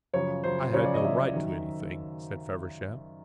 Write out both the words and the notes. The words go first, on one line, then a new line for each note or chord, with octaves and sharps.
"I had no right to anything," said Feversham.
F#2 C#3 F3 C#5
F#2 C#3 F3 C5
F#2 C#3 F3 C#5
D5
D#5
F#2 C#3 F3 E5
F#2 D#3